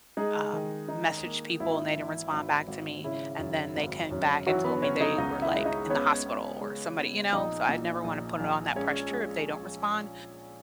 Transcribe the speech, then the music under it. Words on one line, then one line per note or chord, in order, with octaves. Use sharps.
um, messaged people and they didn't respond back to me, and then they came back and told me they were, like, in the hospital or somebody you know, so I never wanna put it on that pressure if they don't respond.
G#3 D#4 G#4
D#3
D#4
A#3
G#1 E4
E3
G#1
G#1
C#3 E4
F#2
G#1
F#2
E3 F#3 F#4
B3 B4
C#3 C#4 C#5
D#4 D#5
C#2 D#4 D#5
E4 E5
G#3
D#4 D#5
B3 C#4 C#5
B3
G#3
B3
A#1 D#4 D#5
A#2
A#1
A#1
G#3 C#4 C#5
G#3